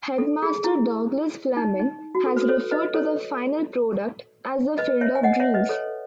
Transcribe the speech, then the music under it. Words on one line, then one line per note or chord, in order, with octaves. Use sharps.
Headmaster Douglas Fleming has referred to the final product as the Field of Dreams.
A4
G#4
E4
D#4
D#4
F#4
A4
B4
A4 C#5
B4 D#5
A4 C#5
B4 D#5
C#5 E5
G#5
D#5 F#5
C#5 E5
B4 D#5
A4 C#5